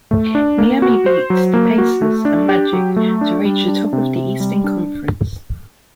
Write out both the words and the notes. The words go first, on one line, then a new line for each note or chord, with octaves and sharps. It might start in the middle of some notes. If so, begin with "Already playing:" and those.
Miami beat the Pacers and Magic to reach the top of the Eastern Conference.
A3
D4
A#3
F#4
C5
F#3
A#3
F#4
A3
D4
G4
F#3
A3
D4
G3
D4
C3
C3
G3
D4